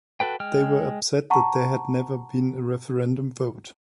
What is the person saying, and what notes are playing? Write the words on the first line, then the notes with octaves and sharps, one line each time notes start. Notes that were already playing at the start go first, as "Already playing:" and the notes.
They were upset that there had never been a referendum vote.
F#4 A4 B4 G5
G#3 G5 F6
F#5 A5 A#5 C#6